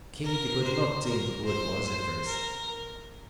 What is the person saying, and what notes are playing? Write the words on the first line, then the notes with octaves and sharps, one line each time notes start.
Katy could not think who it was, at first.
A#4
C5
A#4
C5
C5
A#4